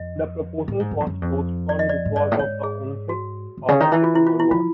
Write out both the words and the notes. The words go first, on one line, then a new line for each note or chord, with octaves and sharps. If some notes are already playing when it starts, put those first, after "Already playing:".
The proposal was postponed because of the onset of the Second World War.
Already playing: F2 D#5
A2
G#2
G2
F2
F#2
F2
D5
D#5
D5
G#2
G2 D5
A2
G#2 C#5
G#4
F#4
A2
C#3
D#3
E3 E4
F4
E4
F4
E4
F3 F4